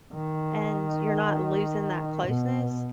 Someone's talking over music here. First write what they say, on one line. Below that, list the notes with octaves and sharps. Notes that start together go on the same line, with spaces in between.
and you're not losing that closeness
D#3
B2